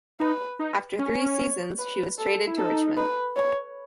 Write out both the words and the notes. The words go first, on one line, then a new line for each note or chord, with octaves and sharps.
After three seasons she was traded to Richmond.
D#4 B4
D#4
C#4
C#5
B4
A4
E4
D#4 A4
B4
C#5